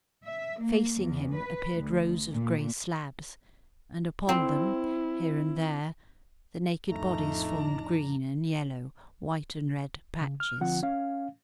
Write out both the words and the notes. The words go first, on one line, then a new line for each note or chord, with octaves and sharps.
Facing him appeared rows of grey slabs, and upon them, here and there, the naked bodies formed green and yellow, white and red patches.
E5
A#3
E2
B4
D2
A#2
C4 E4
F2 A2 A3 D4 D#4 A#5
C#3
F6
D3 F3 C4 F4 F#5
C#4 F5